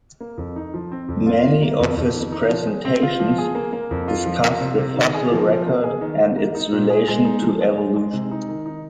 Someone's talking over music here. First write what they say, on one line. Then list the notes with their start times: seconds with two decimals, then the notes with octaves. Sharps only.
Many of his presentations discuss the fossil record and its relation to evolution.
0.21 A#3
0.38 F2
0.56 D#4
0.74 F3
0.92 C4
1.09 F2
1.26 F4
1.43 D#3
1.62 A#3
1.80 F2
1.97 F2
2.14 D#3
2.32 D#4
2.49 F3
2.67 G#4
2.85 C4
3.03 F4
3.20 F3
3.38 G#4
3.55 A#3
3.73 A#3
3.91 F2
4.08 F4
4.26 F3
4.44 A#3
4.61 C3
4.78 C3
4.96 D#3
5.14 G#4
5.32 F3
5.49 F3
5.66 A#3
5.84 G#4
6.01 D#3
6.20 D#3
6.37 A#3
6.55 D#4
6.73 A#2
6.90 G#4
7.08 G#3
7.25 D#4
7.42 F3
7.61 G#4
7.78 G#3
7.96 G#3
8.13 C3
8.31 D#4
8.49 D#3
8.66 D#4